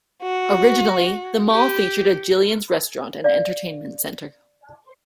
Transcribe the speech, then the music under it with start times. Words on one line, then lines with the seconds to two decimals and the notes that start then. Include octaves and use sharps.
Originally, the mall featured a Jillian's restaurant and entertainment center.
0.22 F#4
1.51 G4
3.24 D5 F5